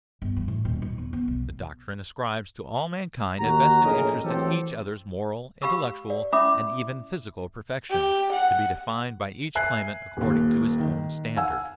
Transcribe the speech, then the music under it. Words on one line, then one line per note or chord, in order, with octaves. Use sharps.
The doctrine ascribes to all mankind a vested interest in each other's moral, intellectual, and even physical perfection, to be defined by each claimant according to his own standard.
G1
E3
A2
D#1
D#4
E2
B3
B1
D#2 F#4 A#5
A#1 A2 C#4 G#4 A#4 D#5
E3 F#3 A3 C4 G4 A4
G4 F5 B5 C#6 E6
D5
C#4 E4 E5 B5 D6 D#6
G4
F#5
E5 G#5 F#6 C7
D#1 D#2
D#3
F5 F#5 G#5 E6